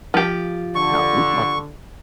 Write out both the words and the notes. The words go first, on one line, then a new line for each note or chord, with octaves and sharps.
Now we talk
F3 G4
D3 C#6